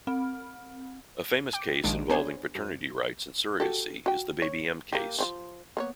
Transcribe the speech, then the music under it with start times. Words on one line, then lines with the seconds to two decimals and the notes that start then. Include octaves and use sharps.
A famous case involving paternity rights and surrogacy is the Baby M case.
0.07 C4
1.53 G5 D6
1.83 A#1 D#3 F3 G#3 D4 D7
2.09 B3 D4 G#4 C5 C#5 G#5
2.55 F#2
3.60 F#4 G4 A4
4.06 F#4 G5
4.42 C#5
4.93 A#3 G4
5.19 F3 C4 F4
5.77 A#3 B3 C#5